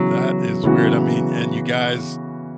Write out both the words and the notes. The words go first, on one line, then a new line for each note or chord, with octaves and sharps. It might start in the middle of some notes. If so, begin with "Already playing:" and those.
That is weird, I mean, and you guys
Already playing: C#3 E3 F#3 B3 F#4
C#3 E3 B3 F#4